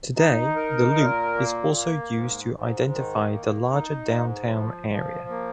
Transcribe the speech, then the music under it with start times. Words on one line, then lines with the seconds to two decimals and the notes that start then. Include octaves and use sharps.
Today, the Loop is also used to identify the larger downtown area.
0.17 D#4
0.56 A#4
0.95 A#2
1.35 A#3
1.74 A#3
2.13 G#2
2.53 G#2
2.92 D#3
3.31 A#3
3.71 D#4
4.11 G#2
4.50 F3
4.89 F3
5.29 A#3